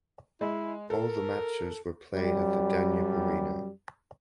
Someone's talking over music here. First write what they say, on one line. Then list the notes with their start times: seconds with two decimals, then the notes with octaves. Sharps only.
All the matches were played at the Danube Arena.
0.41 G#3 E4
0.90 A4 A#4
2.13 F#2 G3